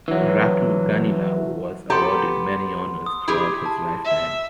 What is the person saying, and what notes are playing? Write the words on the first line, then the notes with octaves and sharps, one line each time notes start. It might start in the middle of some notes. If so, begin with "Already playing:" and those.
Ratu Ganilau was awarded many honours throughout his lifetime.
E3 F#3
B3 G4 A4 A#5 C6
D#6
E4 G4 G#4
A5
E5